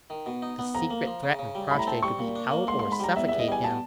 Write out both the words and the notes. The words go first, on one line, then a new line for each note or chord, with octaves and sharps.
The secret threatened Crossjay to be out or suffocate him.
D#3
B2
D#4
B3
F2 A#5
A#3
F3
C#3
C#3
G3
A2 B5
A#5
C4 A5
G3 C#6
A#2
D4
A#3
G#2 C6
G#2 C6
B5
G3 A#5
E2 E5
E2 E5
D#5
G3 G#5
B2 A5